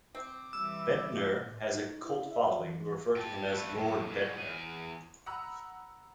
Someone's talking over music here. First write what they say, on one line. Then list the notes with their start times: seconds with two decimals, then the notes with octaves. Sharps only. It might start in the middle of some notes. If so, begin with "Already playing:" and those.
Bendtner has a cult following who refer to him as "Lord Bendtner".
0.15 C4 D6
0.53 E3 G3 E6
1.46 A2
1.61 C#5
1.73 D#4
2.02 E4
2.32 E5
2.59 E3
3.16 G5 A5
3.52 A3 B4
3.76 F#2 A#2
4.10 G#2 F#3
4.38 E2 G#4
5.26 F#5 A#5 B5 D#6 E6